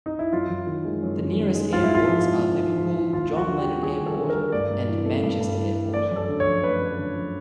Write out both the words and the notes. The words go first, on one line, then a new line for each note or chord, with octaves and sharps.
The nearest airports are Liverpool John Lennon Airport and Manchester Airport.
D#4
E4
F#2 F4
F#2
D#3
G#3
F#2
F#2
D#3
G#3
G#2 F4
E4
G#2 F4
F3
G#3
G#2
G#2
F3
G#3
D#2 F4
D#2
F#4
D3
G4
G3
D#2 G#4
D#2
A4
D3
A#4
G3
G2 D5
G2
E3
A3
G2
G2
E3
A3
A3 D5
F#2
A4
D3
C#5
F3
A3 B4
F#2
D3
F3